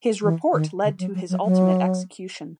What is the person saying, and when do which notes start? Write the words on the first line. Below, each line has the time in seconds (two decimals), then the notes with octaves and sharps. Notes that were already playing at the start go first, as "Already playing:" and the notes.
His report led to his ultimate execution.
0.23 E3
0.53 D#3
0.84 D3
0.99 F#3
1.15 F#3
1.29 F#3
1.45 F#3